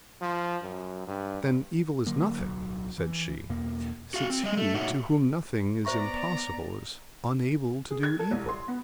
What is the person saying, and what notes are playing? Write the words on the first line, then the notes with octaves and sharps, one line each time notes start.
'Then, evil is nothing,' said she, 'since He to whom nothing is impossible is unable to do evil.'
F3
F#2
G2
D3 F#3 A#3
D1 B1 F#3
E3
E2 B2 A#3
F#4 F5
C4
G3 D#5
A3
A#2 D#4 F#4 C#5 E5 F#5
B3 C5 D5 E5 A#5 C#6
G#4
G#6
A4
C2
C6
B3